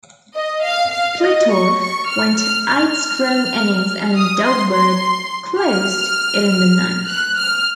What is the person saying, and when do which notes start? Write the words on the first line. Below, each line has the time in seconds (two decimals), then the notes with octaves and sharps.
Splittorff went eight strong innings and Doug Bird closed it in the ninth.
0.35 D#5
0.63 F5
0.92 F5
1.22 D#5
1.51 C#6
1.80 C#6
2.09 F6
2.39 F6
2.68 F6
4.15 D#6
4.45 C6
4.73 C6
5.61 F6
7.08 F#6
7.37 F6